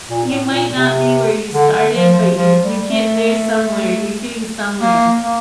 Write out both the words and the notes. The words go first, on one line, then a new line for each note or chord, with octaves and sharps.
You might not be where you started, but you you get there somewhere. You're getting somewhere.
A#2
A2
A#2
C3
D3
D3
F3
F3
F3
G3
A3
A#3
A#3